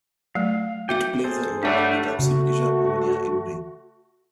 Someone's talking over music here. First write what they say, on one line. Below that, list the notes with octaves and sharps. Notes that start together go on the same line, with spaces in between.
It plays a role in detoxification of ammonia in brain.
F#3 A3 F5
F#4 E5 G5 D6
G#4 A4 C5
G3 A3 D4 C#5 F#5
C#3 A3 F#4